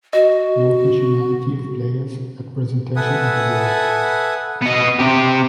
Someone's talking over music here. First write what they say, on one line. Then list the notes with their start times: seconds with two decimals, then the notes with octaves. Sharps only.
Note nationality of players at presentation of award.
0.13 F#4 D#5
2.96 A4 B4 E5 F#5 G#5 D#6
4.62 B3 D#5
4.99 C3 G4